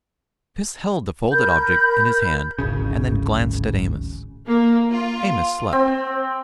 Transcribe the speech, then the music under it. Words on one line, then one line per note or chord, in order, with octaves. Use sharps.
Chris held the folded object in his hand, and then glanced at Amos. Amos slept.
A#4 B5 G6
D1 G#1 C#3
A#3
F4
C4